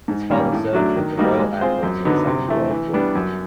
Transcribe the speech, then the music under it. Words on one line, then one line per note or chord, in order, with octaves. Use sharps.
His father served with the Royal Air Force in the Second World War.
G#2
D#3 G3 A#3 C#4
A2
F#3 A3 D4 F#4
D#3
G3 A#3 D#4 F#4
G#3
C4 F4 G#4 C5
F#2
D3 F#3 B3 D#4
C3
E3 A3
E3
G3 B3 D4
F#2